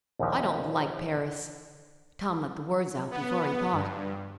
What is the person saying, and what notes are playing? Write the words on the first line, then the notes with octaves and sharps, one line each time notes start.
"I don't like Paris." Tom let the words out before he thought.
A#1 D#2 E3 F3 D#4 G4
B3
G2